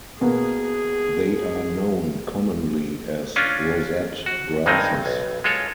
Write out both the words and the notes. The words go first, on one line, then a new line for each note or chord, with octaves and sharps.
They are known commonly as rosette grasses.
B2 A#3 B3 G#4
C#4 D4 F4
F#4
G2 D#3 G#3 C4 D#4
B1
G#3 F4 A4 C#5